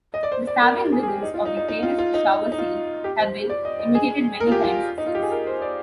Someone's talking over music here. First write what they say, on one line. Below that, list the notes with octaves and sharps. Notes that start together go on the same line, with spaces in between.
The stabbing rhythms of the famous shower scene have been imitated many times since.
D#5
D5
C5
D5
A#4
A#4
G#4
G#4
G4
D#4
F4
D#4
D#4
D#4
F4
F4
D#4
D#4
F4
G4
C5
D5
D#5
D#5
G#4
A#4
F4
G4
F4
D#4
F4
G4
G#4
A#4
C5
D5